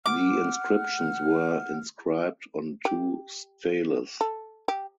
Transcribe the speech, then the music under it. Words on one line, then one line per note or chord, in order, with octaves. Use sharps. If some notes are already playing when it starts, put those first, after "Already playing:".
The inscriptions were inscribed on two steles.
F#5 D6 F6
G4
A4
G4